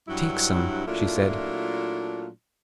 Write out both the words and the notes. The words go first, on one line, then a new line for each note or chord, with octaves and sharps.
"Take some," she said.
G2 F#3 E4
A#2 F#3 A3 D4 E4 F4